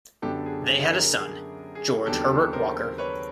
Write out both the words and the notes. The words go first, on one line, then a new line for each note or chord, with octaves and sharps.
They had a son, George Herbert Walker.
F#2 D3 F#3 B3 D4 G4 A4
G#4
G#4
G#4 A#4
G#4
G#4
D#2 C#3 F#3 B3 D4 G4 A4
A#4 C5
B4 C#5